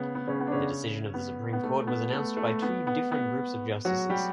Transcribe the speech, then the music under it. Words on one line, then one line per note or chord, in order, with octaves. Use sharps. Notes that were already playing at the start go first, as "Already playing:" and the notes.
The decision of the Supreme Court was announced by two different groups of Justices.
Already playing: C#3 B3 C#4
B3
C#3 C#4
B3
D4
C#3 C#4
B3
B3
A3
B3
A3
A3
B3
B3
B3
F#3 F#4
G3 G4